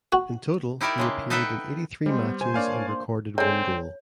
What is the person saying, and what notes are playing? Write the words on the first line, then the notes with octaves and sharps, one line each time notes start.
In total he appeared in eighty three matches and recorded one goal.
F#4
D#4 E4 G4 A#4 D5 E5
C#3 G#3 A#3
D#4 A4 B4 E5 F#5 G5
G3 G#3 C5
B3
C3 C5 G#5
A#3 D4 C#5 D5 F5 G#5
C5
D3 G#3 C4 C#5